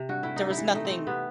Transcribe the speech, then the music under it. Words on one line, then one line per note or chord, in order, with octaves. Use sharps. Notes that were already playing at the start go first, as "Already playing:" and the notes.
there was nothing,
Already playing: C3
G2 F#4
A3 E4
G2 D#4
E4
E3
E4
A3 D#4
C4
A3
C3 B3